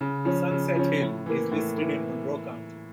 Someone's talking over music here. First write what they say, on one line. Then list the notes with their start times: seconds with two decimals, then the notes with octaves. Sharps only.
Sunset Hill is listed in Monroe County.
0.01 C#3
0.25 F3 C#4
0.51 C#3
0.76 F3 C#4
1.01 A2
1.26 E3 A#3
1.52 A2
1.77 E3 A#3